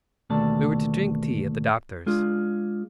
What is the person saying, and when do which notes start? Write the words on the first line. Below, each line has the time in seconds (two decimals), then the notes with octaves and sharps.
We were to drink tea at the Doctor's.
0.30 D#2 B2 D3 A3 D5 A5
2.06 G#3 D4 F4 G#4